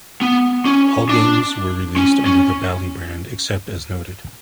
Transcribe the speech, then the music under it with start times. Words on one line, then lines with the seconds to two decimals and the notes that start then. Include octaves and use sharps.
All games were released under the Bally brand, except as noted.
0.21 B3
0.65 C#4
1.09 D4
1.97 C#4
2.26 C#4